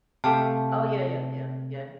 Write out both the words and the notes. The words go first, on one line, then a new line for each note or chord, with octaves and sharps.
Oh, yeah, yeah, yeah, yeah.
C3 A3 G4 F5 A5